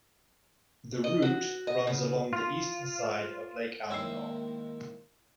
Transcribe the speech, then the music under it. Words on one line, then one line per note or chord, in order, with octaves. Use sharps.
The route runs along the eastern side of Lake Almanor.
D#5
F#4
D#5
C#3
F4
D#3 G#3 A#3 C4 E4 C#5 E6 C7